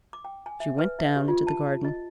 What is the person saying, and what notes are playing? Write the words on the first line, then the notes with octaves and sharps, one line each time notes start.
She went down into the garden.
D6
G5
G#5
E5
B4
E5
G4
F4
A5
D#5